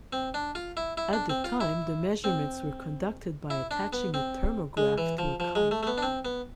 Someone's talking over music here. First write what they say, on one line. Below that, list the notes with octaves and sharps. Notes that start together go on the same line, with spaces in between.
At the time the measurements were conducted by attaching a thermograph to a kite.
C4
D4
F4
E4
E4
D4
C4
F4
E4
C4
E4
D4
B3
C4
G#3
E3
F3
F3
G#3
A3
A3
B3
D4
C4
B3